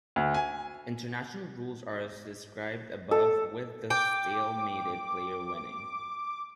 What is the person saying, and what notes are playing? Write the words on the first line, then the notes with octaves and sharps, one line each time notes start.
"International" rules are as described above, with the stalemated player winning.
D2
G#5
A4
G5 D6